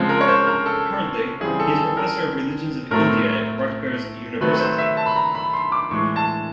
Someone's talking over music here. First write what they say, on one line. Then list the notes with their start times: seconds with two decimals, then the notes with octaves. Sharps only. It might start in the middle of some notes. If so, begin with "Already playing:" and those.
Currently, he is professor of religions of India at Rutgers University.
Already playing: C#3 F3 G#3 C4
0.09 A#4
0.21 C#5
0.28 C5
0.47 A#4
0.66 A4
1.41 C#3 E3 G3 C4 G#4
1.60 A4
1.78 A4
1.97 A#4
2.91 A2 F#3 A3 C4 A#4
4.41 D#3 F#3 A3 C4 B4
4.59 C5
4.78 E5
4.97 A5
5.06 B5
5.16 A#5
5.35 B5
5.53 C6
5.72 D6
5.91 A2 E3 G#3 C#6
6.16 A5